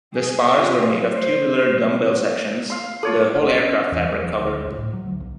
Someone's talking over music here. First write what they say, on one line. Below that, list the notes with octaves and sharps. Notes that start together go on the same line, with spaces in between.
The spars were made of tubular dumbbell sections, the whole aircraft fabric covered.
G#4
F4 G4 G#4
C5
F5 C6
F4 A4 C#5 D6
F#1
C#4
C#4
E2
F3
D1
D2
C#2
A2
F#3
D2
B1